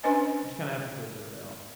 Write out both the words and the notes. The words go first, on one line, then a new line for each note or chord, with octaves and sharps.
you just kinda have to filter it out.
C#4 D4 B4 C5 D#5 G#5